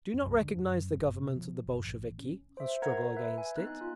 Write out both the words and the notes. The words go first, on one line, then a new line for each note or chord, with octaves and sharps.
Do not recognise the Government of the Bolsheviki, and struggle against it.
F#2
C2
D3
F#2
G1
B2
F3
F#1
A1
C#4
C5 E5
A#4 F#5 A#5 G#6
B4 E5
G#5
B3 D#4 F#6
F4